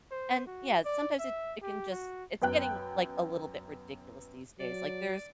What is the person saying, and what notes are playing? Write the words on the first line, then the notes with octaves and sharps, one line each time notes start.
and, yeah, sometimes it it can just it's getting, like, a little bit ridiculous these days, like, there's
C5
F#4
D5
E5
G4
F#4
F#2 B3 G5 F#6
F#3 D5